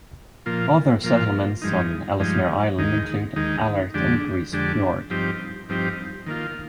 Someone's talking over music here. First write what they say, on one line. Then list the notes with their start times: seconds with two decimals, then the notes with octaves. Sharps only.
Other settlements on Ellesmere Island include Alert and Grise Fiord.
0.46 A#2 F3 A#3 F4
1.04 A#2 F3 A#3 F4
1.62 G2 F3 G#3 D#4
2.20 G2 F3 G#3 D#4
2.78 D#2 D#3 G#3 D#4
3.36 D#2 D#3 G#3 D#4
3.94 F2 D3 G#3 D4 G4
4.52 F2 D3 G#3 D4 G4
5.10 G2 F3 C4 D#4 G4
5.69 G2 F3 C4 D#4 G4
6.26 D#3 A#3 F4